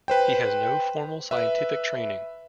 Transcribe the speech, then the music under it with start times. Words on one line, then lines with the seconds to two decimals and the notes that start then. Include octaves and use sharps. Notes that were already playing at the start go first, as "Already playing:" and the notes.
He has no formal scientific training.
0.08 B4 C5 G5
1.31 B4 E5